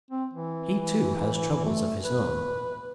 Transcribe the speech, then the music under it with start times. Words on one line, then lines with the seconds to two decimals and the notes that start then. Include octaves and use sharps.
He, too, has troubles of his own.
0.11 C4
0.34 E3
1.65 A3
2.04 B4